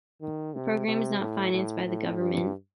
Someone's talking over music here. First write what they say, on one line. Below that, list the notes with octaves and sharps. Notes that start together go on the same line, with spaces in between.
The program is not financed by the government.
D#3
C3
C3
A2
A2
A2
G2